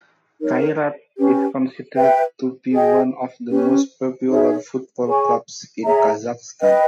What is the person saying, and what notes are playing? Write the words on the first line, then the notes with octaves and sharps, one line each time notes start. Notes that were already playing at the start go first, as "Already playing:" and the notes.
Kairat is considered to be one of the most popular football clubs in Kazakhstan.
D#4 A#4 C#5
C#4 G4 B4
B4 E5 G5
G#4 D#5 G5
C#4 G4 B4
D#4 G#4 C#5 E5
G#4 C#5 G#5 C#6
G#4 C#5 E5 A#5
B4 D#5 G5